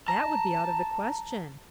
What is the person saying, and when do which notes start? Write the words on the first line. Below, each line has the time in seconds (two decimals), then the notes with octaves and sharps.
"That would be out of the question."
0.08 A5 A#5